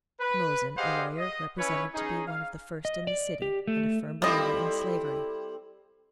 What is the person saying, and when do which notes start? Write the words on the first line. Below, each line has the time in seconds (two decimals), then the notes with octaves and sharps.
Mosen, a lawyer, represented to be one of the first in the city, and a firm believer in Slavery.
0.20 B4
0.77 G4 G#4 C5 D#5 F5 F#5
1.18 D#5
1.58 C#4 E4 B4 C#5
1.94 C#4 D#4 G#4
2.28 F5
2.85 D#5
3.07 D5
3.42 G4
3.68 A3
4.22 G3 C4 E4 F4 A4 D#5